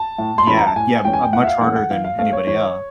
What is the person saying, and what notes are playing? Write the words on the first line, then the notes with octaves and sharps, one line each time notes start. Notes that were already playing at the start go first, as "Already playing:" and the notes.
Yeah. Yeah, uh, much harder than anybody else.
Already playing: A5
A2
C6
E3 G#3 C#4 B5
A#5
A5
A2 G#5
E3 G#3 C#4 G5
G#5
G5
A2 F#5
E5
F5
E3 G#3 C#4 F#5
F#5
E3 F5
F5
A3 C4 F5
C#5
E3 C#5